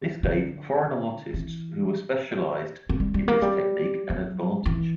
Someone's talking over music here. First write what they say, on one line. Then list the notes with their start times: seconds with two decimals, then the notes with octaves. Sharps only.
This gave foreign artists who were specialized in this technique an advantage.
0.23 D3
1.34 E3
2.89 A#3
3.00 G3
3.14 G3
3.28 A#3
3.42 G3
4.10 F#3
4.66 E3